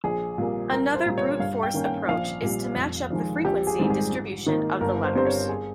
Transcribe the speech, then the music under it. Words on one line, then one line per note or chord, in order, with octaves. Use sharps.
Another brute force approach is to match up the frequency distribution of the letters.
A#1 G#4
A#2 G3 A#3
C2 A#4
C5
A#2 G3
C#5
G2 F5
G5
D#3 A#3 C#4
G5
A#1 F5
A#2 G3
F1
F2 D#3 G#3
A#1 G4
G#4
G#2 D#3 G3 C4
G#4
G#2
D#3 A#3 D#4
G1 A#4
C5
G2 G3 C4 C5
C#5
G#4